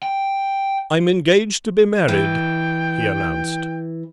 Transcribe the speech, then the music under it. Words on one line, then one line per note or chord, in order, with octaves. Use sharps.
"I'm engaged to be married," he announced.
G5
E3 G5